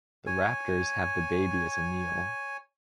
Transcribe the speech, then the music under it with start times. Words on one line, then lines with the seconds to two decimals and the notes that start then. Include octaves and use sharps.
The raptors have the baby as a meal.
0.26 C#5 G#5